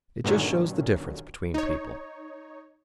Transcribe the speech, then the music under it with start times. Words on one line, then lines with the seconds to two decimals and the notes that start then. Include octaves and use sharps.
It just shows the difference between people.
0.24 G2 A#2 D3 D#3 F#3 C#4
1.54 D#4 C#5